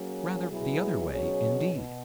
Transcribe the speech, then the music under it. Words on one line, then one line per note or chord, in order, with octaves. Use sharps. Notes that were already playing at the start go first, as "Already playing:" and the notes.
Rather the other way, indeed.
Already playing: F#3 A#3 C#4 G#4
B2 F#3 B3 E4 G#4
B2 F#3 C#4 G#4 C#5
B2